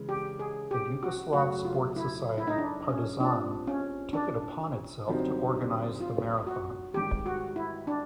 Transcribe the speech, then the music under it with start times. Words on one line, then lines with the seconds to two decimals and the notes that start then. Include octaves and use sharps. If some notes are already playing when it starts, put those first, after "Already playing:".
The Yugoslav Sport Society "Partizan" took it upon itself to organize the marathon.
Already playing: C#3 E3 G#3
0.09 G4
0.39 G#4
0.71 G4
1.03 F#4
1.33 F#2 C#3 F#3 A3 F#4
1.65 F4
1.96 E4
2.38 E4
2.48 D#4
2.58 D4
2.89 C#4
3.20 A#2 G3 C4 D4
3.67 C#4
4.13 D4
5.08 F#2 D3 G3 C4 D#4
6.00 F4
6.47 F#4
6.93 G#2 D#3 G3 G4
7.26 F#4
7.56 E4
7.87 D4